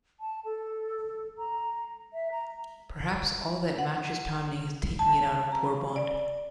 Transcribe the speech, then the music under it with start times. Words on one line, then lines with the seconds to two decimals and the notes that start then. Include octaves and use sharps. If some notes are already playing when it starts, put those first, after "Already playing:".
Perhaps all that mattress pounding is taking it out of poor Bond.
0.20 A5
0.45 A4
1.38 A#5
2.13 E5
2.32 A#5
3.79 F#5
4.99 A5
5.52 A#5
5.96 D5